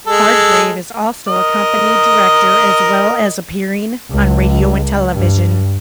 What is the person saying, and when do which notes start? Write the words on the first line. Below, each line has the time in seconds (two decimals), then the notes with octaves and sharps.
Hardgrave is also a company director as well as appearing on radio and television.
0.07 G#3 A4
1.28 A#4 D#5
4.11 C#2
5.12 G2